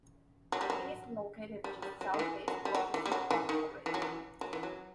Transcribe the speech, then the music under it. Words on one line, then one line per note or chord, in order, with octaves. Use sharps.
It is located just southeast of the city of Ohrid.
F#3
G3
F#3
G3
G3
F#3
D#3
E3
F#3
G3
F#3
E3
G3
F#3
E3
D#3
E3
F#3
E3
F#3
E3
F#3